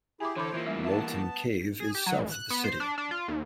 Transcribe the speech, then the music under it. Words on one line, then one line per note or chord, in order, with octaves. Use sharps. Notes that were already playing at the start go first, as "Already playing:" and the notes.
Loltun Cave is south of the city.
E4 G4 G#4 G#5 D6
D3 E3 E4 A4 C5 C#5 B5 D6
E3 A#3 F4
F2 G3 A3 C#4 E5
B3 E5 A5
G#4
G4
F#3
A1
F#6
B3
C5
D4
D4
F4
D#2